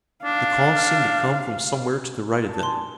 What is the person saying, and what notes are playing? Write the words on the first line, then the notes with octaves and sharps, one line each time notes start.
The call seemed to come from somewhere to the right of them.
D4 F5
A5
D4 G#5 C6